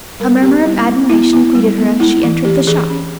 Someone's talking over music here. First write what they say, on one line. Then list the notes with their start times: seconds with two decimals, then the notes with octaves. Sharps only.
A murmur of admiration greeted her as she entered the shop.
0.20 G3 A#4
0.42 B3 G4
0.65 G3 E4
0.88 B3
1.09 B3 E4
1.33 B3 E4
1.55 G3
1.78 B3
2.00 G#3 E4
2.23 E3
2.45 E3 G4
2.67 E3 G#4
2.90 C#4